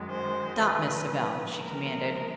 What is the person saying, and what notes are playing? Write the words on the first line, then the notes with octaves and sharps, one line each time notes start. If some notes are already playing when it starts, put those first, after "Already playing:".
"Stop, Miss Savell," she commanded.
Already playing: F#2 D#3 G#3
C5
B4
A#2 F3 G#3
A#4